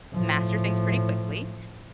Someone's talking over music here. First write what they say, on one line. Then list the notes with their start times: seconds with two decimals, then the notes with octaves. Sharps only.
master things pretty quickly,
0.14 A2 F3